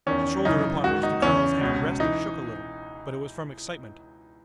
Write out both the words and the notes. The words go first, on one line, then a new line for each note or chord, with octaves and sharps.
The shoulder upon which the colonel's hand rested shook a little, but it was from excitement.
E2 D#3 C#4
F#2 C#3 E3 D#4
G#2 D#3 F#4
D#4
E2 C#3 E3 C#4
C#2 B2
E3 D#4